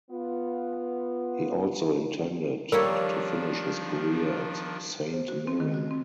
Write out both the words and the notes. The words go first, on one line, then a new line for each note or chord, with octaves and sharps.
He also intended to finish his career at Saint Mirren.
B3 F4
D#3 F3 G3 A#3 D4 A#4 C#5
C5
F#4
C4
D#3
F#4
C4